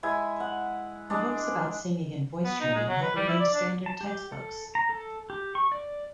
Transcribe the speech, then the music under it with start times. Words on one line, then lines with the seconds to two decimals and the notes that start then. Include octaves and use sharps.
Her books about singing and voice training have remained standard textbooks.
0.03 G#3 E4 G#5
0.40 F#5
1.10 G#3 D4
2.44 B3
2.60 D#4
2.75 G#3
2.88 F#3
3.02 B4
3.16 G3
3.28 E4
3.40 D5
3.54 D4
3.86 A5
4.01 G4
4.32 A4
4.75 A#5
4.89 A4
5.30 G4
5.55 C#6
5.72 D5